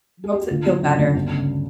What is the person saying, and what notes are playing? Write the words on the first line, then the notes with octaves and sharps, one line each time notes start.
helps it feel better.
G#4
G4
F#4
D2 F4
F#3 D4
C#3 D4
D2
G1 D4
C#3